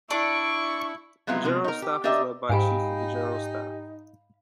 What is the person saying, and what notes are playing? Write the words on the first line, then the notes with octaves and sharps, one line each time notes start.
The general staff is led by the Chief of the General Staff.
D4 E4 C#6 D7
F3 F#3 G#3 B3 E4 F4
C3 G#3 F#4
D#4 A#4
G4
D4 G4 A#4 D#5 E5
G#2 D#4 G4 F5 G5 G#5 B5 D7